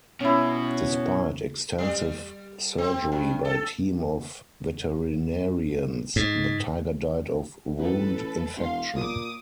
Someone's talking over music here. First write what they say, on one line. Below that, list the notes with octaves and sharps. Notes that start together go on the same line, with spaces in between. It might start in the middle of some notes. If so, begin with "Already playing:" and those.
Despite extensive surgery by a team of veterinarians, the tiger died of wound infection.
B2 C#4 E4
G3
C4
G2
A4
G#2
A1 A4 B4
E1 F5 C6
A#2 D6 D#6